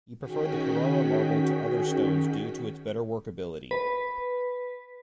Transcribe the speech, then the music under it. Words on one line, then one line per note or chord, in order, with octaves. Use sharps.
He preferred the Carrara marble to other stones due to its better workability.
D#3 C#4 F#4 G#4 G5 B6
B4